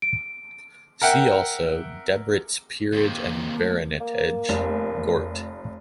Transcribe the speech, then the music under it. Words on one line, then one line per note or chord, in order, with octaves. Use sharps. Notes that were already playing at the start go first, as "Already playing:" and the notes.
See also "Debrett's Peerage and Baronetage" - Gort.
D7
A#4 E5 F#5 G5
D#2 C3 A#3
A3
A#3
F1